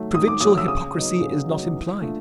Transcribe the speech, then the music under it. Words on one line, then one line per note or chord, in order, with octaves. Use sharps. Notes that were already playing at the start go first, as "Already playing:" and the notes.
Provincial hypocrisy is not implied.
Already playing: D#3 F#3 A3
D#3 D#6
D6
F#3 A3 D#6
E6
C#3 D#6
F#3 B3 D#4
C#3
F#3 B3 D#4
E3
A3 D4 F4